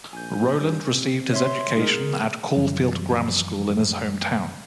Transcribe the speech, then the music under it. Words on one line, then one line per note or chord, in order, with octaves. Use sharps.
Rowland received his education at Caulfield Grammar School in his hometown.
A#1 G#5 G6
G2
C3
C#5 E5 C6
G#2 B2 G#3 G#4 A#4
F#2 E3 F3 G3